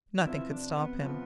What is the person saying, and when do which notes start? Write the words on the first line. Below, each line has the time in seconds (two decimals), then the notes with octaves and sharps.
Nothing could stop him.
0.19 D4
0.26 C3 F3 C4 E4 F4 B4
0.50 D4
0.76 B3
1.01 C3 F3 B3 C4 F4 B4